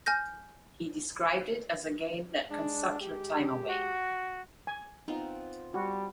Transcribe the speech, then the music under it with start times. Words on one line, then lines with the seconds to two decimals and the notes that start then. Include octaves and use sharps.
He described it as a game that can suck your time away.
0.06 G#5 F6 G6 A#6
2.50 G#3 D4
2.99 G#3 G4
3.66 F#4
4.67 G#5
5.08 B3 C4 D#4 F4
5.74 G3 F#4